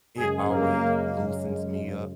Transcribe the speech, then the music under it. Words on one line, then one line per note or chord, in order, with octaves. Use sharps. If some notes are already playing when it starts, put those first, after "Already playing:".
it always loosens me up.
F#2 C#3 G#3 G#4
A#3